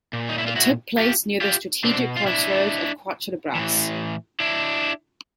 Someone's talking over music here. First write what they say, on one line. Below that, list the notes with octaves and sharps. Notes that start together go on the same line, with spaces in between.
It took place near the strategic crossroads of Quatre Bras.
A#2
D#4
E4
F4
E4 F#4
F4 G4
F4 G4
B2 C4 D4
F4
D4 E4
A2 E3
D4 E4